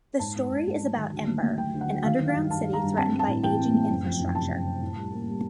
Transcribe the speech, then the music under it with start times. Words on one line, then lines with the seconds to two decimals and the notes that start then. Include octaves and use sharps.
The story is about Ember, an underground city threatened by aging infrastructure.
0.19 G#2 A5
0.36 G#2
0.51 G#2
0.67 G#2
0.82 F#3
0.97 D#3
1.13 D2
1.27 A3
1.43 A3
1.58 F#3 G5
1.74 D2
1.81 F#5
1.89 F#3
2.04 D#3 F5
2.20 D#3
2.28 F5
2.36 G2
2.51 G2 A5
2.66 G3
2.73 A#5
2.81 G2
2.97 C4 A5
3.12 C4
3.19 A5
3.28 A2
3.43 E3 G5
3.58 C4
3.73 A3
3.89 F#1
4.05 F2
4.19 F#1
4.35 C3 A5
4.51 F#1
4.66 C3
4.81 A2
4.97 G3
5.12 A#3
5.28 G3